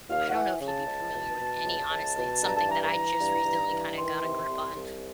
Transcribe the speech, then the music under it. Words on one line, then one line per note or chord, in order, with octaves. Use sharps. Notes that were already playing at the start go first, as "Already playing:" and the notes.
I don't know if you'd be familiar with any, honestly, it's something that I just recently kinda got a grip on.
D#2 F5
F#5
E3
C#3
A5
C#2
B2
B2
C#2
C#2
B2
G2 A#5
A5
E3 A#5
A#5
E3
G2
G2
E3
D#3 C6
C3
C2
C2